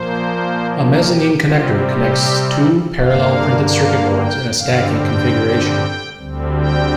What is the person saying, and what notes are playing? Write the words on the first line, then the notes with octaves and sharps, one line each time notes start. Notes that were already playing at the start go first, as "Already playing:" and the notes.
A mezzanine connector connects two parallel printed circuit boards in a stacking configuration.
Already playing: A#2 F3 A#3 C5
G4
C3 G3 C4 F4
G4
G2 D3 A#3 F5
F5
G5
G2 D3 G3 C4 F5
G5
D2 D3 G3 C4
G5